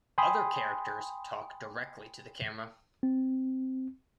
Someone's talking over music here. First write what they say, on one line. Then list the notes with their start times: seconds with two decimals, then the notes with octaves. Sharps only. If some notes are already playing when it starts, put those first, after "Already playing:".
Other characters talk directly to the camera.
0.18 G5 G#5 B5 C6 D#6
3.03 C4